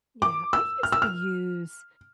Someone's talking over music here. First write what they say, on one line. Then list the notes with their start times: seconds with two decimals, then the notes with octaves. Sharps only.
Yeah, I used to use
0.22 D6
0.53 E6
0.83 F6
0.92 E6
1.02 F6